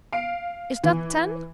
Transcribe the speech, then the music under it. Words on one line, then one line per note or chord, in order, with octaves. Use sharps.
"Is that ten?"
F5 D7
E3